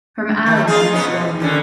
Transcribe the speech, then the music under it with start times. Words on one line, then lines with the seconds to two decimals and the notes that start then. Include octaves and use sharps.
From Ali against Foreman.
0.46 D#3
0.67 D#4 F4 G#4
0.93 B3 C#4 D#4
1.07 B2
1.40 D#2 D3 C#4